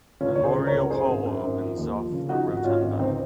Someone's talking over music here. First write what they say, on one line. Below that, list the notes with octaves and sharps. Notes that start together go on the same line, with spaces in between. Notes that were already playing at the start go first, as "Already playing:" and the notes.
Memorial Hall opens off the Rotunda.
C#2 C#4 F4
C#2 C#5
G#4 C5
C#2
A#4 C#5
C#2
F#2 G#4 C5
G#1
F#2
G#1
F3
D#2
F3
C#3
F3 D#4 F#4
G#1
F#4
G#2 C#4 F4
G#1
C#2 C4 D#4